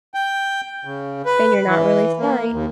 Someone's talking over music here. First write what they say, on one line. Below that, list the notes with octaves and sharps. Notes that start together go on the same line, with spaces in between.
Then you're not really sorry.
G5
C#3
B4
E3
A#3
D#2